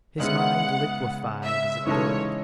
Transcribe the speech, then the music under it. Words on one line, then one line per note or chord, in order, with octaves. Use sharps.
His mind liquefied as it boiled.
C#3 G#3 B3 E4 G#4 F#5
E5
C#3 E3 G#3 D#4 A4 C#5